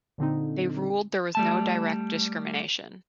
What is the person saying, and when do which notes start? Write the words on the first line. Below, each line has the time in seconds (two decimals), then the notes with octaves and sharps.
They ruled there was no direct discrimination.
0.18 A#2 D3 C4 D#4
1.35 G3 A3 A5